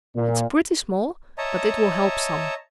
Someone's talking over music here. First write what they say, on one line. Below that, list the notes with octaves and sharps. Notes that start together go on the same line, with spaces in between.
"It's pretty small, but it will help some."
A#2
C#5 D#5 E5 A5 A#5